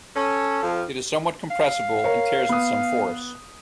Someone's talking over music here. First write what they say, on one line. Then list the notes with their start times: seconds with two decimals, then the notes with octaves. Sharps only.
It is somewhat compressible and tears with some force.
0.16 C#4 A4
0.62 F2 F3
1.50 F5
2.04 A#4 C#5
2.49 B3 D#6